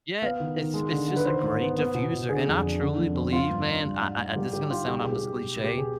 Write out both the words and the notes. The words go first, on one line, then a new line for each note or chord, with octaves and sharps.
Yeah. It's it's just a great diffuser, and I truly believe, man I I I this is gonna sound almost cliche,
B3 F5
D#3
D#3
G#3
D3
D3
B4
D#3 C5
G#2
B3
B3
B2
B2
D3 G#4
F2
D4
D3
F2
C4
F3 F4
G2
D4
G3
G#2
G#2
G3 G4
D3 G4
D#4 F4
G3 G4
G#4
B2
G4
B2
G#3
B2
G4
B2 G#4